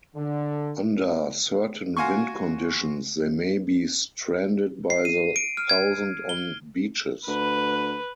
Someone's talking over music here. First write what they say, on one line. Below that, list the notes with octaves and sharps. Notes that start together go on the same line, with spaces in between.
Under certain wind conditions, they may be stranded by the thousand on beaches.
D3
F#4 F5 G#5 C6 C#6
C7
D#7
D7
F6
G#6
G7
D2 B4